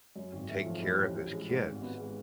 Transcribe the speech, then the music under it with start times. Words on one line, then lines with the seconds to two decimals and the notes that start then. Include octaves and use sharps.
take care of his kids,
0.16 F#2
0.32 G#1
0.49 A3
0.66 F3
0.82 A2
0.99 A1
1.15 A1
1.33 G#3
1.49 G#2
1.65 G#1
1.82 B3
1.99 G#3